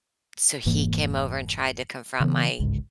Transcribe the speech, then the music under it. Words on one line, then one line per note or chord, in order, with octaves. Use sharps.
so, he came over and tried to confront my
F1 G#2 E3 A#3
C#3 E3 B3
G1 C#2 G#2